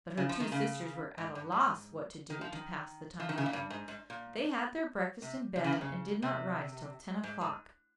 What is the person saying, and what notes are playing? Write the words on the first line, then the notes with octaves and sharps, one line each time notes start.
But her two sisters were at a loss what to do to pass the time away: they had their breakfast in bed, and did not rise till ten o'clock.
C#3
F3
D#3
C#3
G#2
G2
G#2
D#3
F3
D#3
F3
D#3
C#3
A#2
G2
G#2
G#2
A#2
C3
C3
C#3
D#3
C#3
C3
G#2
G#2